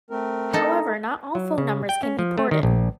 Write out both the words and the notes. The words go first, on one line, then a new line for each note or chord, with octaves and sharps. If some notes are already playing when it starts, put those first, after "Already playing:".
However, not all phone numbers can be ported.
A3 C4 A#4
D#4 A4
F#3
C#3
G5
C#4
F3
A3
D#3
A#1